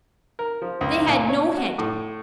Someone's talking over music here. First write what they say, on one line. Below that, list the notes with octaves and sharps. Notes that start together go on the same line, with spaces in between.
They had no head.
A#4
F3
C#2
A#2
C#5
F#4
A2